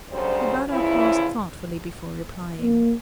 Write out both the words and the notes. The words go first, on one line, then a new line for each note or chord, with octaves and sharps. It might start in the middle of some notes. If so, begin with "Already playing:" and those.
Ibarra paused thoughtfully before replying.
D2 C#3 F#3 G3 C5
E2 C#3 F3 E4
A#3